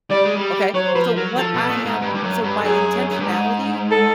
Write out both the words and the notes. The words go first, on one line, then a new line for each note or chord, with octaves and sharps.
okay? So, what I am So my intentionality
G3 D5
G#3
G3
F#3 C#5
C5
F3 B4
F#3 A#4
F3 A4
B2
A#2
G#2
G2
G2
F#2
G2
A4
F#2 G#4
F#2
G2
G#2
A4